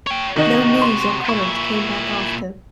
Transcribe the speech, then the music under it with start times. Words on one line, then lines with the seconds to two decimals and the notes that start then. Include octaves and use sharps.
No news or comment came back after.
0.07 C#5 G5
0.36 C3 D#3 D#4 F#4
0.82 C6
1.29 A#2 E4 C#6